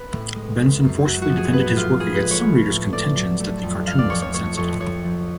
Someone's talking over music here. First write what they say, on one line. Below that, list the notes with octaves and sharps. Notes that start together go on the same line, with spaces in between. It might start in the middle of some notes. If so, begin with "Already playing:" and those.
Benson forcefully defended his work against some readers' contentions that the cartoon was insensitive.
Already playing: B3 B4
A2
G#3
G#3
F#2
F#2 F#4
F#4
F3
G#4
B3 B4
A2 F4
A2 G#4
B4
G#3
C#5
A3
A2
A2 D5
F#3
A3
F2
F2 F5
D5
F3 C#5
C#5
A3 C#5
F2 C#5
F2 C#5
F3